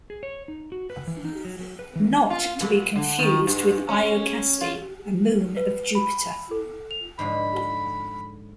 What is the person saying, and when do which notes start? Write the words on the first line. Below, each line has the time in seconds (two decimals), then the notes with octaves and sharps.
Not to be confused with Iocaste, a moon of Jupiter.
0.10 G#4
0.23 C#5
0.48 D#4
0.72 F#4
0.90 B4
1.07 E3
1.25 D#4
1.45 F#3
1.59 F#3
1.79 B4
1.96 E3
2.30 F4
2.61 A#2
2.96 D3
3.19 D#3
3.47 G2
3.89 C#4
4.61 F4
5.57 B4
5.95 B5
6.51 A4
6.91 F7
7.19 G#2 D3 F3 B5